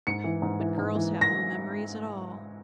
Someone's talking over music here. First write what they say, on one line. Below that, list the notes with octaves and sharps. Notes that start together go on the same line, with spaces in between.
But girls have no memories at all!
G#2 C#7
E3
G#2
E3
G#2
E3
A#6